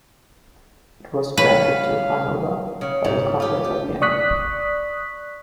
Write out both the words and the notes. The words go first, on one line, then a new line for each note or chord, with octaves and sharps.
It was granted to Hanover by the Congress of Vienna.
G3 B4 C#5 F5
C#3
G#2
F4 G4
G4
D5 C#6 D#6 F#6 B6